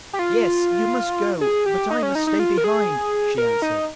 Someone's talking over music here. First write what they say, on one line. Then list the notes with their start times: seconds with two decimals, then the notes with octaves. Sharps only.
'Yes, you must go; but I must stay behind,' she answered.
0.13 G4
0.19 F4
1.41 G#4
1.66 G4
1.91 D#4
2.03 C#4
2.15 D#4
2.27 D#4
2.39 F4
2.58 A#4
2.64 G#4
3.38 A#4
3.62 D#4